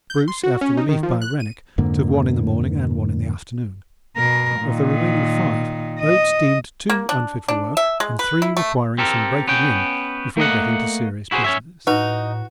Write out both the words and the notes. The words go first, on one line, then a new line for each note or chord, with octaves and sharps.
Bruce, after relief by Rennick, took one in the morning and one in the afternoon--of the remaining five Oates deemed two unfit for work and three requiring some breaking in before getting to serious business.
G6
C6
F#4
C#4
D#4
D#3
F3
F#6
D#7
F2 G#2 D3 A#3
B2 A#4
A#2 D#3
D#5
A#3
D4
D4
E5
G#3
B4
E4
A3
C4 G4 A4 A#4
B3 C#4 G5
A3 A#3 D#5 F#5
E4 F#4 G#4 A#4 C5
C#4 C#5 E5
A2 D#4 F#4 B4